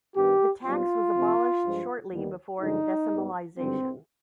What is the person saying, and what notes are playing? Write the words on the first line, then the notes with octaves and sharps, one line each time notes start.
The tax was abolished shortly before decimalisation.
G2 D#3 B3 G4
B1 B2 G3 C4 F4
D2 C3 F3 C4
G2 F3 G#3
D#2 D#3 G3 B3
G2 D3 F3 G#3 D#4
G#2 G3 B3
G#1 G2 D3 G3 C4